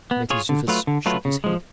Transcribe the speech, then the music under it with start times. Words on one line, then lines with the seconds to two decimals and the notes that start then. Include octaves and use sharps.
Mentezufis shook his head.
0.11 B3
0.30 F4 G#4 C#5
0.49 D3
0.68 F#3 A3 F4 B4
0.87 D3
1.06 F#3 A3 F4 B4
1.25 C#3
1.44 F3 G#3